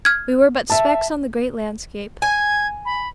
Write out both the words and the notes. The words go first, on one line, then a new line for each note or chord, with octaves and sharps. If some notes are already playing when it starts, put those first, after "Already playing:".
We were but specks on the great landscape.
F6 G#6
E5 A5
G#5 G#6
B5